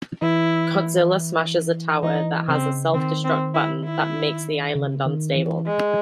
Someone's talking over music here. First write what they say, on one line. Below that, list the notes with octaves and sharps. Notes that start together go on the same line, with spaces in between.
Godzilla smashes a tower that has a self-destruct button that makes the island unstable.
E3 E4
E3 D#4
C#3 C4
D#3 C4
C4
E4
E4
C#3
D#3
E3
G#3